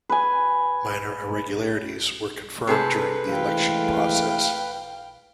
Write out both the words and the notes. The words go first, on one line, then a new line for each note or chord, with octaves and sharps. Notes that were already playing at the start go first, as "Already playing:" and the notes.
Minor irregularities were confirmed during the election process.
B4 G#5
C3 G#4 A4 B4
E3 G#3 A3 F5 G5